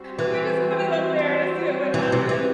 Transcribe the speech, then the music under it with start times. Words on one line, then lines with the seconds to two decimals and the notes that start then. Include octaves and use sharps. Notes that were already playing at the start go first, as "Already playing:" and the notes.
and we just put him up there to see what would happen,
Already playing: G3 C4 F#4 C5
0.19 E3
1.94 E3
2.12 C3
2.29 E3